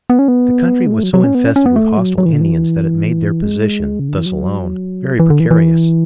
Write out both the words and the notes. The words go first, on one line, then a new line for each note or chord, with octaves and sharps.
The country was so infested with hostile Indians that it made their position, thus alone, very precarious.
B3
C#4
B3
G#3
A3
F#3
F#3
C#4
B3
C#4
C#4
B3
A3
F#3
F#3
E3
D3
E3
G#3
C#3
D3
E3
F#3
E3
D3
E3
E3